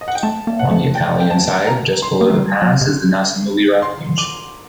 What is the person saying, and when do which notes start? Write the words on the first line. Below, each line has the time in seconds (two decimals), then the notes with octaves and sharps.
On the Italian side, just below the pass, is the Nacamuli refuge.
0.01 D#5
0.08 F#5
0.15 G5
0.23 A3 A5
0.47 A#3
0.59 F#5
0.71 A3
0.95 G5
1.20 G5
1.30 A5
1.67 A#5
2.02 C6
2.21 A#3
2.30 A3
2.38 G3
2.62 F#3
2.81 C3
2.86 D3
3.82 C6
4.18 D6